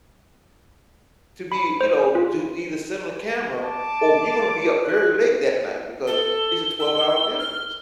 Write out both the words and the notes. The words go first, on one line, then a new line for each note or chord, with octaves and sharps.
to be, you know, to either sit on the camera, or b you're gonna be up very late that night because it's a twelve-hour difference-
B5
C5
F4
A5 D6
F#6
A4 G7
E6
F6